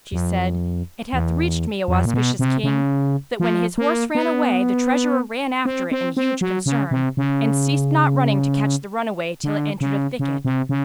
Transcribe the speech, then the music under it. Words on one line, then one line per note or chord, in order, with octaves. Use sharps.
She said, It hath reached me, O auspicious King, that when his horse ran away, the treasurer ran after it in huge concern, and ceased not running to catch the runaway till it entered a thicket.
F2
E2
F2
A#2
B2
C3
C#3
F3
A#3
B3
C4
C4
C4
F#3
C#3
C3
C#3
D3
C#3
C#3
C3
C#3